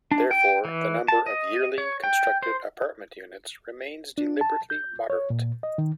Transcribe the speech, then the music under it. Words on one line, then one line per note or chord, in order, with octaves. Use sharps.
Therefore the number of yearly constructed apartment units remains deliberately moderate.
D4
G5
E3
A5
D#5
C#5
G5
C5
D4
A5
G6
C#5
A#2
D#5
D#3